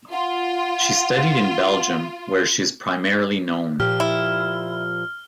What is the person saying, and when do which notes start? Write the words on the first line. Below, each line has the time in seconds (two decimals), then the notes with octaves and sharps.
She studied in Belgium, where she is primarily known.
0.12 F4 F#5
3.80 A#2 F3 G4 F6
4.00 E4